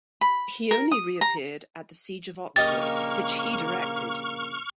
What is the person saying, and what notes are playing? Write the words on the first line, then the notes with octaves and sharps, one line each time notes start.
He only reappeared at the siege of Oxford, which he directed.
B5
A#4
D#6
A#5
A#1 C#3 A#3 G4 D#5 C#6 F6 A6